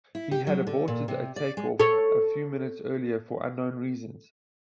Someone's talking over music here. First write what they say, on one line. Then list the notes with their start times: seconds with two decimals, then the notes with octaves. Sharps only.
He had aborted a take off a few minutes earlier for unknown reasons.
0.15 E4
0.31 G4
0.47 F#3
0.67 D3
0.88 A#2
1.08 C3
1.36 D5
1.57 G#3
1.80 A4 C#5